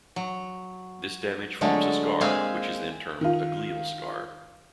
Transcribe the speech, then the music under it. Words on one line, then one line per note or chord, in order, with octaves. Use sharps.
This damage forms a scar which is then termed a glial scar.
F#3
D3 F#3 G#3 A3
G#3 A#3 C4 E5 F5 G#5
D#3 F4